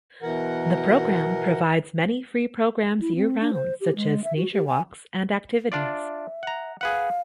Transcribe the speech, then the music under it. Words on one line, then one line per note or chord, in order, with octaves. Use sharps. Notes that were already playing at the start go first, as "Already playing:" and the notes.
The program provides many free programs year-round, such as nature walks and activities.
B2 E3 A#4 F#5
E4
C4
D4
C5
G4
G#3
E5
F#4
G4
G#5
D4 F4 D5 E5
F#5 A#5
G#4 B4 F5 F#5